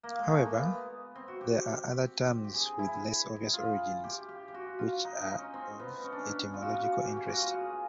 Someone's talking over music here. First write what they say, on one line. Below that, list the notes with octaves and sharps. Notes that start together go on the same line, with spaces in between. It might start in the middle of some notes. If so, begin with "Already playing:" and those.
However, there are other terms with less obvious origins, which are of etymological interest.
A#3
G#3
A3
A#3
B3
C4
F#4
G4
G4
G#4
E4
F4
G4
G4
G4
F#4
F4
D#4
D#4
C#4
C4
B3
C#4
D4
C#4
F4
F#4
F4
F#4
G4
G4
F4 F#4
F4
G#4